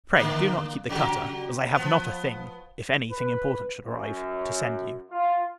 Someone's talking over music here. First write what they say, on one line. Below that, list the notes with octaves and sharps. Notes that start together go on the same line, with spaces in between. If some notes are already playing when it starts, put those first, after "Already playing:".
Pray, do not keep the cutter; as I have not a thing, if any thing important should arrive, to send you.
D3 A#3
C#3 F#3 G4
F3 B3
B4
F#2
F4